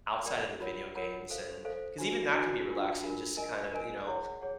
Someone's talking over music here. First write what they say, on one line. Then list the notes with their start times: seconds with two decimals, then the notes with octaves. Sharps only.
outside of the video games and 'cause even that can be relaxing just to kind of, you know,
0.26 A#4 D5 G5 B5
0.60 F4 A#4 C#5 F#5 B5
0.95 F4 A#4 C#5 F#5 B5
1.30 A4 C5 F5
1.65 A4 C5 F5
1.98 D4 F#4 B4
2.34 D4 F#4 B4
2.68 D4 F4 A#4
3.02 D4 F4 A#4
3.37 A#4 D#5 G#5
3.72 A#4 D#5 G#5
4.07 E4 G#4 C#5 F#5
4.41 G#4 C#5 F#5